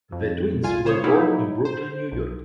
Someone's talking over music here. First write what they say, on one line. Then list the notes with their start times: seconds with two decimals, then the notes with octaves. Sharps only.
The twins were born in Brooklyn, New York.
0.12 F2
0.63 C2 F4 G#5
0.85 C#3 C5 C#5
1.04 F#3 A#3 D#4 E4
1.65 C5
2.12 B1